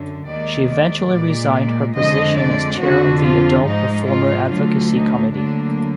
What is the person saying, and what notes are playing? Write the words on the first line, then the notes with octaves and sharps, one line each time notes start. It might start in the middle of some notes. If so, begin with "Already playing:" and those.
She eventually resigned her position as chair of the Adult Performer Advocacy Committee.
Already playing: F#2 D3
D#2 D#3 G#3 D5
D5
A#2 G#3
F2 D3 G#3 D#5
D5
F2 D3 F3 F#4
F4
G#2 F3 G#3 D#4
F4
D2 D3 F#3 F4
D#4
D2 D3 F#3 A#3 D4